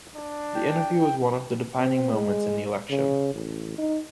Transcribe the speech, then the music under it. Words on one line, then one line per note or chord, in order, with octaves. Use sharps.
The interview was one of the defining moments in the election.
D4
G5
C4
G#3
C#3
A1
D#4